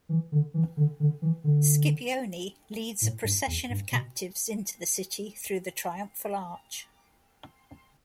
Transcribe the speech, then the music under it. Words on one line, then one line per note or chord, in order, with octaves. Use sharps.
Scipione leads a procession of captives into the city through the triumphal arch.
E3
D3
E3
D3
D3
E3
D3
A2
G2
E2
G2
B2